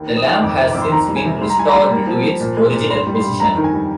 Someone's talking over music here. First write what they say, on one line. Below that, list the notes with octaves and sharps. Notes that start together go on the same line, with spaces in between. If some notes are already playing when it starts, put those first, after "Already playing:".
The lamp has since been restored to its original position.
Already playing: D#2
F3
D#6
D#2
F2 D6
C3
F2 D6
C6
D#3 A#5
G3
G#5
C3
G3 C6
A#5
G3 G#5
A#5
G3
A#3
F3
F3
A#2
G#3
A#2
G2 C6
G3
C6
G2
F2 A#5
D#3
G#5
G3